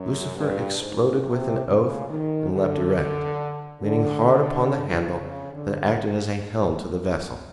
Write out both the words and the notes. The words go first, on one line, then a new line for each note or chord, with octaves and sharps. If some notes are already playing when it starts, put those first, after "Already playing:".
Lucifer exploded with an oath and leapt erect, leaning hard upon the handle that acted as a helm to the vessel.
Already playing: F#2
G2
G#2
C3
C#3
D#3
D3
D3
C#3
D3